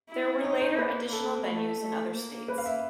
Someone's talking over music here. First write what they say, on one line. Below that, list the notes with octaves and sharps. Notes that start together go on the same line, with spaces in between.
There were later additional venues in other states.
E4
D#4 C#5
C5
A#3 B4
A4
A3
A3
A#3
B4
F5
E5